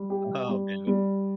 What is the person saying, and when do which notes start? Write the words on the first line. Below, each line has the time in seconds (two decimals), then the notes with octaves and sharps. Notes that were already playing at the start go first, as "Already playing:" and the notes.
Oh, man.
Already playing: G3
0.10 G4
0.49 G3
0.87 G3